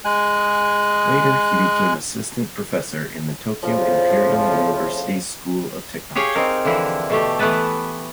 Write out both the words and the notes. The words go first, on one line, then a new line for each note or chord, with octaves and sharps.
Later he became assistant professor in the Tokyo Imperial University School of Technology.
G#3 G#5 F#6
F2 A2 C#3 F3
G4 G#4 C#5 F5 G5
C4 D#4 A#4
D3 E3 F3 E4
B2 A3 G4
E3 A3 B3 B4 A5